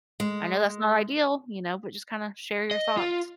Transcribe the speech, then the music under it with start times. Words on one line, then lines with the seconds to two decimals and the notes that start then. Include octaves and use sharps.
I know that's not ideal, you know? But just, kinda share your thoughts.
0.20 G#3
2.71 D#5
2.97 F4